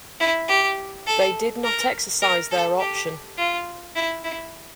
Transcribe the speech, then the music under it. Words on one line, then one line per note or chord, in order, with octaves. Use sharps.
They did not exercise their option.
E4
G4
A4
A#4
A#4
A4
G4
F4
E4
E4